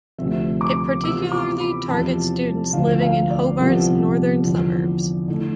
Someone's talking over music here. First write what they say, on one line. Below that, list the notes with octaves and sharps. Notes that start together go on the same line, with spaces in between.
It particularly targets students living in Hobart's Northern Suburbs.
D2 C3 F3 E5
D6
C3 E3 B3 F4 E6
D6
B5
E2 C3 F3 A5
D2 D3 F3 F5
F5
D5
C2 C3 F3 B3
E2 D3 F3
D3 A3 E4